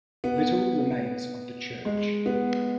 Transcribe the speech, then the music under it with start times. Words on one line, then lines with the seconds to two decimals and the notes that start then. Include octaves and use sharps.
Little remains of the church.
0.24 B3
1.85 G#3
2.26 B3